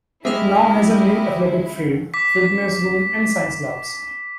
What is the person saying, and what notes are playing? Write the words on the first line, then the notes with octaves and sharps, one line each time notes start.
It now has a new athletic field, fitness room, and science labs.
G#3 E4 G4 D#5 E5 F6
D6 B6